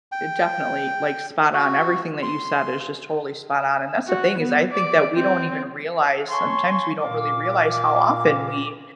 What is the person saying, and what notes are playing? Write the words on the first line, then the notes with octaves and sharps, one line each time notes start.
it definitely, like, spot-on, everything that you said is just totally spot-on, and that's the thing is, I think that we don't even realize sometimes we don't really realize how often we
G5
F#4
C6
F#4
B3
D5
C4
C#5 G#5 A5 C6 C#6
A#2 A#4 F5 D6